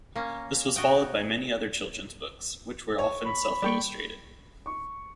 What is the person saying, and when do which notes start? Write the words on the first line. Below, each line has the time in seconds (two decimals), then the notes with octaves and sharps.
This was followed by many other children's books, which were often self-illustrated.
0.16 A#3 C#4
0.76 B2 F#4 D#5 G5
2.98 C#5
3.25 B5
3.62 G3 A#3 D5 G5 C#6
4.66 C#6